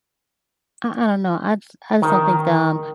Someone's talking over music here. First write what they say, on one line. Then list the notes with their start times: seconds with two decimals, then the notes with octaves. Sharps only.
I I don't know, I just I just don't think that, um,
2.02 D#3